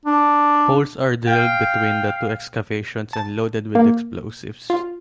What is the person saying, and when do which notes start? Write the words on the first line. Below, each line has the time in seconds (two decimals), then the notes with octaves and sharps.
Holes are drilled between the two excavations and loaded with explosives.
0.06 D4
1.27 F5 G5
3.13 A5
3.75 A#3
4.70 F4